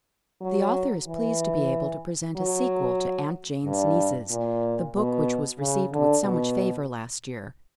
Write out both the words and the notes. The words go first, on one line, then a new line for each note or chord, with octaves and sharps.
The author is pleased to be able to present a sequel to "Aunt Jane's Nieces," the book which was received with so much favor last year.
F#3
E3
F#3
G2
A#2
B2
C#3
D3
B2